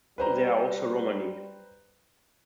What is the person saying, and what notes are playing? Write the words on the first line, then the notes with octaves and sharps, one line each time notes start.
There are also Romani.
G3 B4 C5 A#5